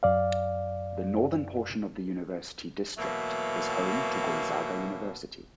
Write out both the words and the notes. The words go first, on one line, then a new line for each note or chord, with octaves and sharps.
The northern portion of the University District is home to Gonzaga University.
F#2 D5 F5
B2 E3 F#3 A3 A#3